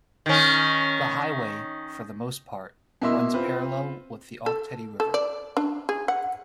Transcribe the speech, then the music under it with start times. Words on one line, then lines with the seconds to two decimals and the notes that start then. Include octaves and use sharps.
The highway, for the most part, runs parallel with the Ok Tedi River.
0.26 D#3 C#4
3.02 B2 A#3 E4 D#5 C6 E6
3.34 C4 F4 B4
4.46 A4
5.00 A4
5.14 D5
5.57 D4
5.89 G#4
6.08 F#5